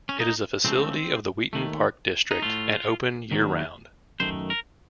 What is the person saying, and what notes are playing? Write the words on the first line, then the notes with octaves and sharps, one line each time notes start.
It is a facility of the Wheaton Park District and open year round.
C#4
D#4
C#2 C#3 F3 A3 C4
D#2 D#3 A3
D#4
A2 A3 F4
D#2 D#3 F#3
F#2 D#3 A3 C5
A#4